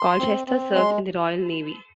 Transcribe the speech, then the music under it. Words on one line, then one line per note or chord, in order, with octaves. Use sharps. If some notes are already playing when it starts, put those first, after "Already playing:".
Colchester served in the Royal Navy.
Already playing: C6
C4
C4
G#3 C6